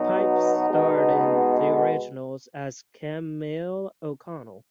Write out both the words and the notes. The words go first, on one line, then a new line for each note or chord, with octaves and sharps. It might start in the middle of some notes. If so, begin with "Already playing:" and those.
Pipes starred in "The Originals" as Camille O'Connell.
Already playing: B2 F#3 B3 D#4
B2 G#3 B3